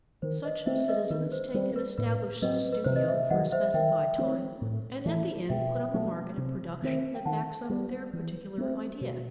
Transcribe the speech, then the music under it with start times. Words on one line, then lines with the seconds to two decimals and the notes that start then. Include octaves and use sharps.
Such citizens take an established studio for a specified time and at the end put on the market a production that backs up their particular idea.
0.22 D#3 C5
0.45 B4 D#5
0.66 A3 C4 C5 E5
0.80 E5
0.88 B4 D#5
1.10 D#3 B4
1.32 C5
1.54 G3 C4 C5
1.76 B4
1.98 A2 B4
2.42 F#3 C4 B4 D#5
2.73 B4
2.85 C3 C5
2.96 D#5
3.09 C5 E5
3.30 D#3 F#3 D#5 F#5
3.52 C5 E5
3.74 D#3 E5 G5
4.18 F#3 A3 C4
4.62 A2
5.05 E3 A3
5.49 B2 E5 G5
5.94 F#3 A3
6.38 C3
6.82 D#3 A3 C4
7.14 G5
7.25 D#3 F#5 A5
7.69 G3 B3
8.13 E3
8.58 A3 C4
9.01 B2